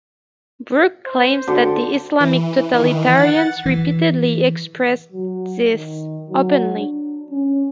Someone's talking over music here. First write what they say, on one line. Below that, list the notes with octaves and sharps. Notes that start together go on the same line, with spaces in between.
Brook claims that the Islamic totalitarians repeatedly express this, openly.
C5
D3 F#4 G5 B5
E3
D#3 E3
F#5 A6
E3
F#3
D#3
F#3
D4
C#4